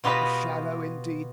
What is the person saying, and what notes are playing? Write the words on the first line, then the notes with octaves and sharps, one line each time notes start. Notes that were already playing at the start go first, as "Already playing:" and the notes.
A shadow indeed!
B2 F4 G4 B4 D#5 B5